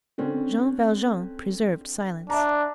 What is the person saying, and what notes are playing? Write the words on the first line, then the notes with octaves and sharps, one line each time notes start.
Jean Valjean preserved silence.
D3 C4 C#4
D4 E5 A#5